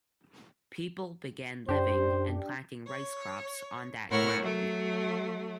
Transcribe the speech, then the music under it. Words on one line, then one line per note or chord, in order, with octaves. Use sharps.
People began living and planting rice crops on that ground.
F#2 D4 G4 C5
C#5
A2 A#4 C#5 F#5 E6 F6
F#3 A3